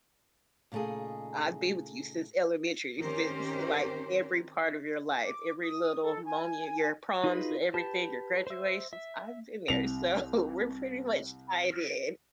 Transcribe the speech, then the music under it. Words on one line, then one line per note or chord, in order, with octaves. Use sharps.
I've been with you since elementary, since like every part of your life. Every little moment: your proms and everything, your graduations, I've been there. So, we're pretty much tied in."
A#2 C#3 A3 D#4 G#4
D#3 C4 C#4 G4 A#4 C5
D6
D#6
A4
G#5
D#4 F4 F#4 G#4 A#4 B4
G4 B4 A5
C5 E5
E5
C2 F7